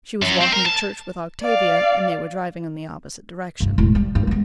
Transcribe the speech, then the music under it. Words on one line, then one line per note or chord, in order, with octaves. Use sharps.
She was walking to church with Octavia, and they were driving in the opposite direction.
F#2
C4
A#4
A5
D5 F5
F1 G2
E1 A2
G3
G2
G#3 B3